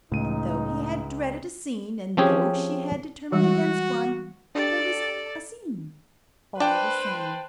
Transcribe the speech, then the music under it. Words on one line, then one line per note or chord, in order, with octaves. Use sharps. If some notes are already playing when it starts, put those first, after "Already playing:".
And though he had dreaded a scene, and though she had determined against one, there was a scene, all the same.
C#2 A2 D#4 D#7
F3 C4 C#4 G4 G#4
E3 G3 G#3 F#4
D4 G4 A4 D5
D4 B4 C5 G5 A5